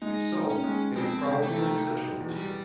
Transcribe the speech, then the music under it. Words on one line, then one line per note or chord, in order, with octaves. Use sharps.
If so, it is probably an exceptional history.
G#3 D#4
D#3
C#4
G#3
F2 C4
C3
A3
D#3
B2
E2
G3